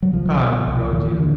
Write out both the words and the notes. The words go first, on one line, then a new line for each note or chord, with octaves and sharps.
"Pride, Rodya."
F#3
C2 F3
B2
C2
D#2 E3
D3